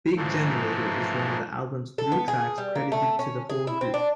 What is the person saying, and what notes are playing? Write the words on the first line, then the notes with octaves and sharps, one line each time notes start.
"Big Generator" is one of the album's three tracks credited to the whole group.
G#2 C#3 E3 F3 A3 A#3
A4
B3
G#4
G3
A#3
A3
C#4
G#4
E4
C4
D4